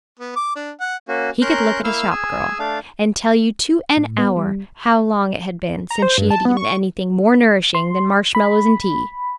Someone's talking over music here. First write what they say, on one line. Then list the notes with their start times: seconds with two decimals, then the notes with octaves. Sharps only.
He could look at a shop-girl and tell you to an hour how long it had been since she had eaten anything more nourishing than marshmallows and tea.
0.19 B3
0.36 D6
0.56 D4
0.80 F#5
1.08 A#3 C#4 F#4
1.42 C#4 A#4 A#5 C6 F#6 G6
1.84 A#3 E4 F5 E6 F6
2.11 G#4 G#5 E6
2.59 A3 D4 F5
3.97 A2
4.18 B3
4.37 G3
5.90 A#5
6.02 C5
6.18 G2
6.30 A5
6.45 B3
6.57 C#6
7.75 C6
8.35 B5